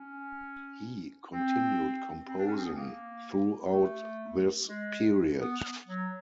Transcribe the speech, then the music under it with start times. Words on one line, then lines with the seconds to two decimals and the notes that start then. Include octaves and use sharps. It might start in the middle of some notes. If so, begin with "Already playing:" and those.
He continued composing throughout this period.
Already playing: C#4
1.31 C4
2.28 C4
2.38 D4
2.47 C#4
2.57 C4
2.65 B3
2.75 A#3
3.71 A3
4.67 G#3
5.39 B3
5.87 F#3